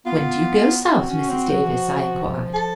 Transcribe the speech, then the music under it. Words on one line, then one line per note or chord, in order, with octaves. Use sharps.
"When do you go South, Mrs. Davis?" I inquired.
B3 F4
A#3
B3
C4 F#4
C#4
C4
F#3
E3
F3
A4